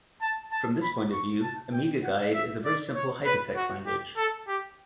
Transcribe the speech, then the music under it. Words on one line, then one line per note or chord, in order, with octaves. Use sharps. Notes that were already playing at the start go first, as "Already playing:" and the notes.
From this point of view, AmigaGuide is a very simple hypertext language.
A5
A5
B5
C#6
A5
G5
F#5
E5
D5
C#5
B4
F#4
G4
A4
G4